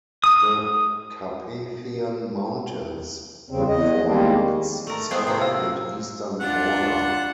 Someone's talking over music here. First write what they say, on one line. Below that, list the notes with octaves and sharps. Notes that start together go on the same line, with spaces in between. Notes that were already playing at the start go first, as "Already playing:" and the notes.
The Carpathian Mountains form its southern and eastern border.
D#6
E2 G2 C#3 C4
E2 D#5
D#3 G3 G#3 A#3 C4
A3 A#4
B3 C4 G#4
C3 A#3
F4 C5 F5 E6
D4 F4 F#5